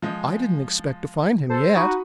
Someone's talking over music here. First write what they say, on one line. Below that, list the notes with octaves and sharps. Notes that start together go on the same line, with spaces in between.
I didn't expect to find him yet.
F3 G#3
A4 C5
D#4 F#4 B5 C#6 D#6